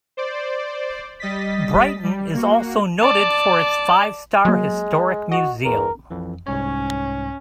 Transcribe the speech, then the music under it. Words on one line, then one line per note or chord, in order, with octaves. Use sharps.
Brighton is also noted for its five star historic museum.
C5 D5
G3 D#5 A6 B6
G3
A#3 F#4
D5 A5
F#3 G#3 A#3
F#4 D#5
E2 A#4
F2 E3
C2 G#2 C#4 C#5